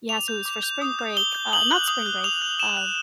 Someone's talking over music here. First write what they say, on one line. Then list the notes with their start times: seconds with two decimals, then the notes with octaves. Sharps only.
Yeah, so it was for spring break uh, not spring break, uh,
0.09 D6 F7
0.28 G6
0.45 D6
0.63 G6
0.82 D#6
0.99 G6
1.17 D#6 G7
1.35 G6
1.52 D#6 F#7
1.70 F#6
1.88 D#6
2.06 F#6
2.24 D#6 F7
2.42 F#6
2.59 D#6 E7
2.77 F#6